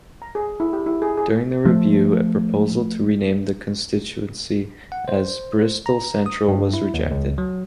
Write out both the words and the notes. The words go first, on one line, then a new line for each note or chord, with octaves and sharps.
During the review, a proposal to rename the constituency as "Bristol Central" was rejected.
A#5
G#4
E4
G4
E4
G#4
G#4
F3 A3
F#5
C5
A#5
D#6
G2
E4
D#2
C#2
F#3